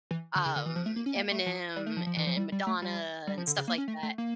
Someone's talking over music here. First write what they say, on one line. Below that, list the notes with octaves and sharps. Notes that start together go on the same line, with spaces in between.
um, Eminem and Madonna and stuff like that.
E3
D3
C#3
D3
E3
F3
A3
A#3
C#4
A#3
A3
F3
G3
A3
F3
F3
E3
F3
G3
G3
A3
G3
G3
F3
D3
C#3
A#3
C#4
A3
A3
A#3